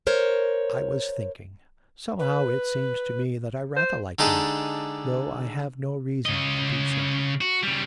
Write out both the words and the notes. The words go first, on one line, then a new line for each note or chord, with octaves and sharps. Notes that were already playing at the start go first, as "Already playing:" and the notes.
I was thinking. Somehow it seems to me that I rather like him, though I have no reason to do so.
A#4 C5 C#5
B4
C5
D3 G#3 D#4 G4 D#5 A5
C#3 D#5
F#4
C#3 G3